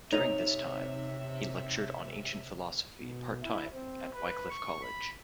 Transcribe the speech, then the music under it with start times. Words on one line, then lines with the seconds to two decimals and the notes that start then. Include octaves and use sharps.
During this time he lectured on ancient philosophy part-time at Wycliffe College.
0.12 C3 D#4 C#5 E5 F7
2.99 B2
3.43 E4
3.73 C4
4.13 B4
4.50 C#6
4.82 B5